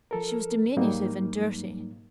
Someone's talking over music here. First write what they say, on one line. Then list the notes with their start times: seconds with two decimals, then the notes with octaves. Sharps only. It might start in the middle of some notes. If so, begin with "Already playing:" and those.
She was diminutive and dirty.
0.11 F3 A4 A#4
0.77 G#2 F#3 G3 A#3 D#4